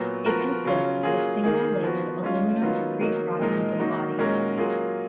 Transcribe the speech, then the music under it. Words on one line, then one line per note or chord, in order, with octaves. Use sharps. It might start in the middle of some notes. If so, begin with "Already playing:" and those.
It consists of a single layered aluminium pre-fragmented body.
Already playing: A#2 F#3 B3 F#4
F3 B3 F#4 A#4
C#3 F#3 C#4 F4
F#3 A#3 F4 G#4
D#3 A#3 D#4 G#4
F3 B3 F#4
G#3 C#4 F4
D#3 F#3 B3 F4
D#3 F#3 A#3 D#4
A#2 F3 G#3 D#4 A#4
D#3 F#3 A#3 D#4 F#4
A#2 G#3 C#4 F#4 A#4
F#3 A#3 F4 G#4